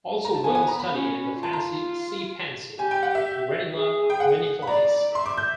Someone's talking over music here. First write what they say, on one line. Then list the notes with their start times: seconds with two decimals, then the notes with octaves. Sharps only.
Also well studied is the fancy sea pansy, "Renilla reniformis".
0.25 A#5
0.34 A5
0.44 B3 G#5
0.55 G#5
0.68 A#5
0.79 B5
0.91 C#4
1.38 F4
1.43 A5
1.53 A#5
2.79 G4 G#5
2.91 G5
3.03 F#5
3.15 E5
3.73 G#4
4.10 G5
4.20 F#5
4.62 B5
4.67 D5 A#5
5.15 E5 C6
5.26 D6
5.37 G6